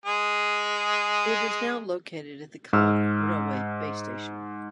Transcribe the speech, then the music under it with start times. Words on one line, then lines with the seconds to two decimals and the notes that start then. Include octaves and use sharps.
It is now located at the Cog Railway Base Station.
0.05 G#3 G#4
2.73 G#2 E6 F6